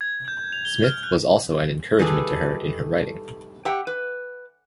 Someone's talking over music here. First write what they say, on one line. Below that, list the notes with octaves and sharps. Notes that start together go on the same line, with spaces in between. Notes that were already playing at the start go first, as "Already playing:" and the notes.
Smith was also an encouragement to her in her writing.
G#6
G6
F7
G7
F6
F#6
D#3 G3 A3 G#4 A4 B4
G4 E5 F#5 G5
B4